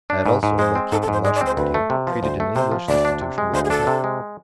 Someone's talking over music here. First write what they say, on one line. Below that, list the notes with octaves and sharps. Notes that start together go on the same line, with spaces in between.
I had also, by keeping luncheon waiting, treated an English institution with contempt.
D4
G#2 B4
G#2
G#3 C5
C4
G#2 A4
A4
G#2 C5
G#3 D5
D5
C4
C5
D2 B4
A3
C3
F3 B4
D2 C5
A3
C3 C5
F3
D2 D5
D4
C3
G#3
D2 C5
G#4
D4 A4
C3
G#3